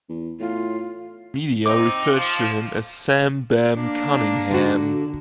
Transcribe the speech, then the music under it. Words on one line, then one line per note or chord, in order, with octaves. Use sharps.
The media referred to him as Sam "Bam" Cunningham.
E2
A2 F4
C4 D#4 D6
F3
A#3 D4
D3 F#4